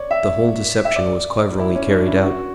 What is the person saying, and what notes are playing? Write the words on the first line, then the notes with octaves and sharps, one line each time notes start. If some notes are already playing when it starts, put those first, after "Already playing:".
The whole deception was cleverly carried out.
Already playing: C#5 D5
E5
E5
D5
E4
C#4
D4
E4
F#4